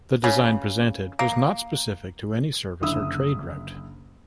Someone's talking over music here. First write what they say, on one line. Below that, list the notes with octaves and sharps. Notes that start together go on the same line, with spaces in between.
The design presented was not specific to any service or trade route.
C#3
A#3
F#1 D3 E4 D#6 E6